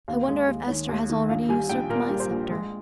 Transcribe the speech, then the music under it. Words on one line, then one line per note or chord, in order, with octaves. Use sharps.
I wonder if Esther has already usurped my sceptre.
D#2 F5
G#3
D#2
D#3 C#5
D#2
D#3
A#1 F5
G3 G#5
A#1 G5
A#2 A#4
G3
C5
A#1
G#3